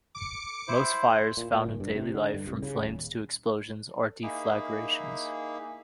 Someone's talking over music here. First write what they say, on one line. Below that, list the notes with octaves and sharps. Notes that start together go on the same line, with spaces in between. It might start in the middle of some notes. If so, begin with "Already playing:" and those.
Most "fires" found in daily life, from flames to explosions, are deflagrations.
D6 C#7
E4 C5
A#2
A#2
G1
G2
C3
D3
G2
C2
C#3
D#1
A#3 D#4 E4 G#4